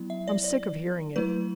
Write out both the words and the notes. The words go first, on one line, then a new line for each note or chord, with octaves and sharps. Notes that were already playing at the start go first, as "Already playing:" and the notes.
I'm sick of hearing it.
Already playing: F#3 B3 E4
E5
D5
D5
F#3 A3 E4 B4